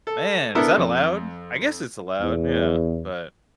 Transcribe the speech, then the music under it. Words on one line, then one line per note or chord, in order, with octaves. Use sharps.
Man, is that allowed? I guess it's allowed, yeah, but
A4
B3 D4 E4 A4 A#4
F2
E2